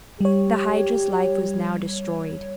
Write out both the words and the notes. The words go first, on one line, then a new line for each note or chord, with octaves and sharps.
The Hydra's life was now destroyed.
G3 G4 C#5